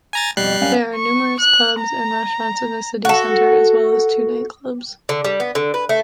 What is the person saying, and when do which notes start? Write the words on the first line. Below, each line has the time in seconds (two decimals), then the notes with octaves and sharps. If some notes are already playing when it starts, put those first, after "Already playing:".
There are numerous pubs and restaurants in the city center, as well as two nightclubs.
0.13 G#5 A#5 A6
0.37 F2 B2 G3 F#6 C7
0.61 F#2 C#4 F5
0.95 C#6
1.40 F#6
1.80 A#5
3.05 F#4 A4
5.09 D3
5.25 G3
5.40 B3
5.55 D3
5.74 B4
5.89 A3